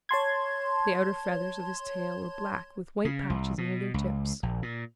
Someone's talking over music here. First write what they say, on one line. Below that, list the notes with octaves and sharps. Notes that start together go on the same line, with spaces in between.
The outer feathers of his tail were black with white patches near their tips.
C#5 A5 C6 G#6
C#3
C2
B2
C#2
A#1
A#2